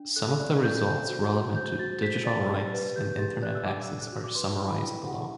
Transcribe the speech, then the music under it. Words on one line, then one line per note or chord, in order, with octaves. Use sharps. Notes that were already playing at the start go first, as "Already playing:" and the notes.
Some of the results relevant to Digital rights and Internet access are summarized below.
Already playing: D4
A4 F#6
D5 F#6
A4 G6
C5 G6
F#4
F#4
C5 G6
F#4 A6
C5 B6
D5 A6
G4
B4
G4 G6
G4 A6
D5 F#6
E6
D4 D6
E6
D4
F#6
F#4
D6
B4 C6
E4 B5
E4 G5
G4 F#5